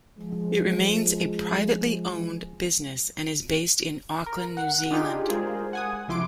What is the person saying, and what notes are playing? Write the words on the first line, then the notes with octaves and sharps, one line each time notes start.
It remains a privately owned business and is based in Auckland, New Zealand.
F3 G#3
A#4
F#5
D4 D#4 F4 G4 G#4
G#3 F4 G#4 A#4 C5
F#5 G#5 D#6
C2 F3 E4 C6 D6 D7